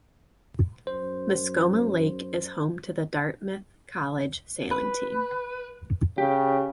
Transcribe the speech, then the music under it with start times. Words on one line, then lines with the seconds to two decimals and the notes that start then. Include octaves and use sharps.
Mascoma Lake is home to the Dartmouth College sailing team.
0.87 F#2 C5
4.71 B4
6.18 C#3 G4